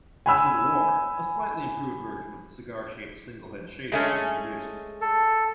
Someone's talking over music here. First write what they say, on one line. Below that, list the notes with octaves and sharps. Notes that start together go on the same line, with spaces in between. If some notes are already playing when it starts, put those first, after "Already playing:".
After the war, a slightly improved version of the cigar-shaped single-head shaver was introduced.
G#5 B5 E6
G#3 A3 C#4
A4